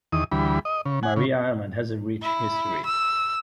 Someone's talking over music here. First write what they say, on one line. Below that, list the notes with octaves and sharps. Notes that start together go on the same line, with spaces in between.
Maria Island has a rich history.
E2 D#3 D#6
D2 E3 G3 B5
D#5
C#3
F#5 G#5
C#3
E4
E6